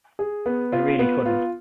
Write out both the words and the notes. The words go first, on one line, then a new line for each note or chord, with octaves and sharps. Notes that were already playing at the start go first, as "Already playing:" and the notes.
I really couldn't.
G#4
B3
F4
B3
F4